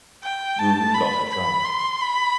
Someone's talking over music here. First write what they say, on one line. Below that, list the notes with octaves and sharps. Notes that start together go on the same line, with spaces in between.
Rhun got her drunk.
G5
A5
B5
B5
C6
B5